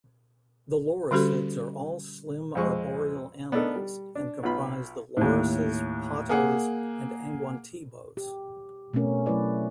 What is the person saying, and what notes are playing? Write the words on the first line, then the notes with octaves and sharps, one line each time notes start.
The lorisids are all slim arboreal animals and comprise the lorises, pottos and angwantibos.
D3 G3 C#4 F#4 G4 A4
F2 F3 G#3 C#6
B3 D4 D#4 A4 A#4
G3
D4
B1 B3 F4 B5
D#2 A2
A#3 G#4 F#5
G4
B2 A3 C4 C#4 A#4
F#3 A3 E4 B4 D5